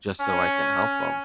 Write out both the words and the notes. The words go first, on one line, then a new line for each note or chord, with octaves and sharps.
just so I can help 'em.
C#4